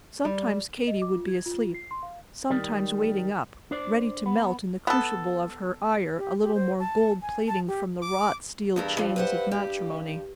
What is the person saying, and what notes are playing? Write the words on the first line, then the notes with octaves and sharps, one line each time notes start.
Sometimes Katy would be asleep; sometimes waiting up, ready to melt in the crucible of her ire a little more gold plating from the wrought steel chains of matrimony.
G3
D#5
D6
F4
G#6
F4
F4
C7
C6
F5
D#3 G3
D4 C5 D5
B3
B3 A4
G4
G4
C5
A5
G#5
A5
G4
D6
E2 G2 A4 A#4
F3
B4 C5 F#5
G4